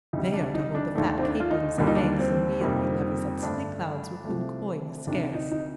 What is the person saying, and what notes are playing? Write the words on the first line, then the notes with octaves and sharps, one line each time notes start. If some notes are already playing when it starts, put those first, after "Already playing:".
They are to hold the fat capons and eggs and meal he levies on silly clowns with whom coin is scarce.
D2 C3 G3 D#4
D4
D#4
D4
D#2 D#3 A3 D4
C4
D4
F4
D#4
D#2 D3 G3 A#3 D4
D#4
D4
C4
F2 C3 D#3 G3 A#3
G2 D3 A3 D4
C2 C3 F3 A3
D2 C3 D#3 D4
D#4
D#4